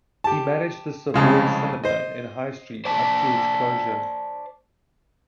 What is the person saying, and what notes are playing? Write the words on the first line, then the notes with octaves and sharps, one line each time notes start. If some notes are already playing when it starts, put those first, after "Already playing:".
He managed the Savoy Cinema in High Street up to its closure.
G4 A5
C2 F2 C#3 G#3
C5 D#5
C5 D5 A5